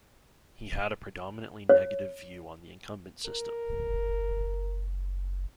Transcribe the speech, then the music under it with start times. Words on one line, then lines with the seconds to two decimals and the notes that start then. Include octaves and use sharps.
He had a predominantly negative view on the incumbent system.
1.69 C#5
3.26 A#4
3.90 F#1